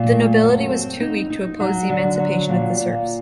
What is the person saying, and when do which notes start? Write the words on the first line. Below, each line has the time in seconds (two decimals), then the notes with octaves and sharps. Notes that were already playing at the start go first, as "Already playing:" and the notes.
The nobility was too weak to oppose the emancipation of the serfs.
Already playing: A#2
0.12 A3
0.41 F#2
0.71 C4
1.00 D#4
1.30 D#4
1.60 F#3
1.89 D3
2.19 F#3
2.49 A#2
2.79 A#2